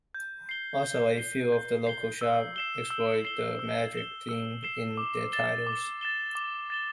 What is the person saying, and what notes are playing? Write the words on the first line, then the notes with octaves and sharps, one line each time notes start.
Also, a few of the local shops exploit the "magic" theme in their titles.
G6
C7 G7
G6
C7 G7
G6
C7 G7
E6
C7 E7 G7
E6
C7 E7 G7
E6
C7 E7 G7
E6
C7 E7 G7
D6
A6 E7 G7
D6
A6 E7 G7
D6
A6 E7 G7